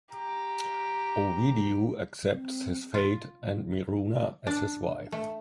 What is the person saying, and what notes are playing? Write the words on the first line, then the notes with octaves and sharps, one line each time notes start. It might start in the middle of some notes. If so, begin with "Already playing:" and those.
Ovidiu accepts his fate and Miruna as his wife.
G4 A#5
C4
F4
D4
A3